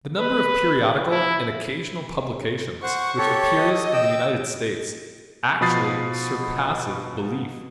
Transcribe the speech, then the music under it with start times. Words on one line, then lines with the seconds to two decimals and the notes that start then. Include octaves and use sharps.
The number of periodical and occasional publications which appears in the United States actually surpasses belief.
0.19 B4
1.11 E4
2.83 C5 F#5 C#6
3.18 G4 A4 C#5
3.57 D#5
3.93 G5 E6
5.61 B2 F3 B5 D#6 A6 C7